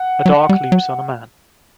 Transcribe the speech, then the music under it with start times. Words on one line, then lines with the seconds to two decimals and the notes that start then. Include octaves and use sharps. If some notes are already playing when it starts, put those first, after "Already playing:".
A dog leaps on a man.
Already playing: F#5
0.26 F#3
0.49 G3
0.72 F#3